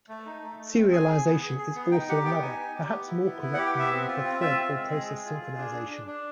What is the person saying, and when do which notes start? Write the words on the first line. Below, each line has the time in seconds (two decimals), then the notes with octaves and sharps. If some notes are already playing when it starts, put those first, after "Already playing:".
Serialization is also another, perhaps more correct name for thread or process synchronization.
0.09 A3
0.26 D#4
0.43 A3
0.59 A3
0.76 C4
0.92 G#4 G#5
1.09 G#4
1.26 B3
1.42 G#4
1.58 G#4
1.75 B3
1.91 D#4 G5
2.09 G4 F#5
2.25 B3 G5
2.42 D#4 G#5
2.59 D#4
2.75 G4
2.92 B3
3.08 E4
3.25 B3
3.42 E4
3.54 F#5
3.58 G4
3.66 G5
3.74 B3 E5
3.91 C4
4.08 F4
4.24 C4
4.41 F4 E5
4.59 C4
4.75 G#3
4.91 G#4
5.08 G#4
5.25 F4
5.41 G#4
5.58 D4
5.74 D4
5.90 D4
6.07 D4